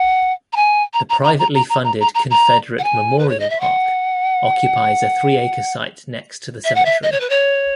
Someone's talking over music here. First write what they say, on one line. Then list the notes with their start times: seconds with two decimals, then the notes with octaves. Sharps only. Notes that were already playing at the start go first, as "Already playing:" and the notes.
The privately funded Confederate Memorial Park occupies a three-acre site next to the cemetery.
Already playing: F#5
0.53 A#5
0.56 G#5
0.93 A#5
1.09 A#5
1.24 A#5
1.39 A#5
1.54 A#5
1.69 A#5
1.84 A#5
2.00 A#5
2.15 A#5
2.30 A#5
2.79 F#5
2.84 G#5
3.19 B4
3.29 C#5
3.40 D#5
3.50 E5
3.60 F#5
6.64 E5
6.75 F#5
6.85 E5
7.03 D#5
7.12 C#5
7.20 B4
7.30 C#5